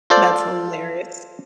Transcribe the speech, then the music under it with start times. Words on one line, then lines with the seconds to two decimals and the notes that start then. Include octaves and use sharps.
That's hilarious.
0.10 F4 A4 C5 D5